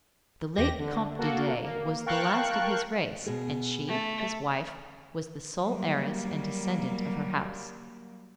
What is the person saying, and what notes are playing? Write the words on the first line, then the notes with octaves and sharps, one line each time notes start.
The late Comte de Dey was the last of his race, and she, his wife, was the sole heiress and descendant of her house.
E2 G4 A#6
D3
A#3 F#4 A4
A#3
A#4 F5 G5 A5 C#6 F#6
B2 B3 G#4
A3
F#3 G3 A#3